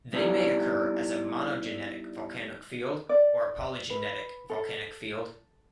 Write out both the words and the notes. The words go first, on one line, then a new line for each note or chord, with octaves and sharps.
They may occur as a monogenetic volcanic field or a polygenetic volcanic field.
G3 B3 D#4 E4 G4 D5
D5
B4
A4